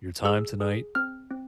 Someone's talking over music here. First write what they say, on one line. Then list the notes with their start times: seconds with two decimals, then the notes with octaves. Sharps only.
your time tonight,
0.25 G#4 E6
0.60 G#4
0.95 C4 F6
1.31 C4